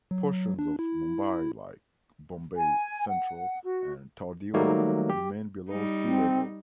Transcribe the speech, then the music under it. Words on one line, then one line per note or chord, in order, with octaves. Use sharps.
Portions of Mumbai like Bombay Central and Tardeo remain below sea level.
F#3
D4
E4
G#5
F#5
F#4
D#3 F#3 G3 A3 A#3 D#4
G4
G3 D#4
C4